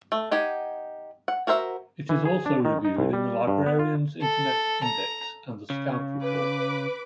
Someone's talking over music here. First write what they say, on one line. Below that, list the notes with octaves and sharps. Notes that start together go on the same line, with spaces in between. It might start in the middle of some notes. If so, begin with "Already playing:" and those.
It is also reviewed in the Librarian's Internet Index and the Scout Report.
A3
D#4 G4 F#5 G#5
F#5
F#4 A#4 C5 E5
E3
G#4
D4
D#3
D#4
C2
G3
G2
B3
F4
A4
A#5
C#3
B4 D6